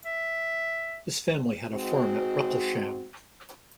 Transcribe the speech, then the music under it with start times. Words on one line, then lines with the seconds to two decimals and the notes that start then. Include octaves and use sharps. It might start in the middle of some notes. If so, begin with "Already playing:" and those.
His family had a farm at Wrecclesham.
0.05 E5
1.71 G#3 C4 D#4 F#4